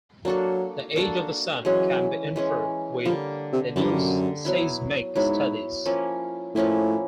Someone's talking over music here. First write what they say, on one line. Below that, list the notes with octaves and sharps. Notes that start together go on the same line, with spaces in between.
The age of the sun can be inferred with helioseismic studies.
F#3 A#3 D4 F#4 A4
A#3 D4 F#4 A4
E3 F#3 G#3 C#4
E3 G#3 C#4
D3 F3 G3 A#3
C3
F#2 D3 G3 A#3
G2
F#2
F#3 B3 E4
G#2 F#3 B3 E4
F3 A#3 C#4 E4
A2 F3 A#3 C#4 E4